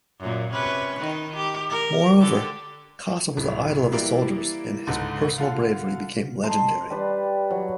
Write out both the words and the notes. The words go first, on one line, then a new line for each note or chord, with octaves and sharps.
Moreover, Kassa was the idol of the soldiers and his personal bravery became legendary.
F#2 A#2
C3 C#4 B4
D#3 D#4
G4
A#4
D3 G4 A4
D1
E3 G3 A#3 E4 D5
C#2 G#2 D3
D3 F4 F5
D#5 A5 A#5 C6
G3 G4 B4 D5
F#3